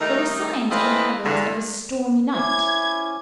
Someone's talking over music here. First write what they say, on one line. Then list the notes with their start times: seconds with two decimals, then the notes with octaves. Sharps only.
There were signs in the heavens of a stormy night.
0.01 D#3 G3 A3 D#4
0.71 E3 C4 F4 A4 B4 D#5
1.24 E2 G2 D3
2.34 C#4 E4 C5 D6 G#6